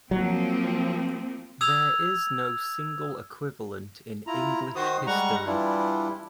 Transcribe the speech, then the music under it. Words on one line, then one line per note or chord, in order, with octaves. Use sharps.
There is no single equivalent in English history.
F3 F#3 A#3 C4
D#6 E6 G#6 F7
E4 F4 A#5
D#3 F#4 C5 D#6
G3 G#3 F#5 A#5 C#6
E3 G3 D4 E4 F4